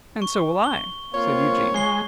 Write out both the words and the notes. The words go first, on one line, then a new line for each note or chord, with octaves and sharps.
'And so will I,' said Eugene.
C#6
G7
A#3 C4 F4 C#5
G#3 C#6 C7 G7